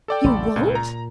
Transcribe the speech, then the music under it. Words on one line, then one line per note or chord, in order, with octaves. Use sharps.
"You won't!"
A4 D5 G5
A1 D#2 C3
C#2 A#2
A#5